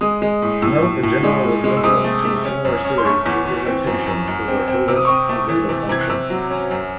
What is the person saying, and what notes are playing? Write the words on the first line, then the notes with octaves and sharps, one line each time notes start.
Note a general resemblance to a similar series representation for the Hurwitz zeta function.
G#3 D#6
G#3
A2
A2 E6
A2
A2
G#3
A2
G#3
E6
C3 D#6
A3
A3
C#4
F#2
C#4
C6
A3 C#6
E2
E3
C4
F#2
F#2
F#2
C4
C4
C3 E6
D#6
C#6
C4 D#6
A3
E3
C3
C3 G#6
F#6
C3 E6
F#3
C#4
F#2